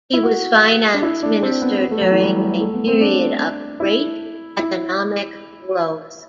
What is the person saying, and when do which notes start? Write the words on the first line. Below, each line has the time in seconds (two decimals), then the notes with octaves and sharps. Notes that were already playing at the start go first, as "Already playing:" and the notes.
He was Finance Minister during a period of great economic growth.
0.13 E4
0.23 F#4
0.94 D4
1.02 E4
1.23 D4
1.43 C4
1.62 B3
1.81 B3
1.91 A3
2.01 F#3
2.12 E3
2.21 G3
2.41 A3
2.61 A3
2.74 B3
2.88 C4
3.01 D4
3.80 E4
4.59 E4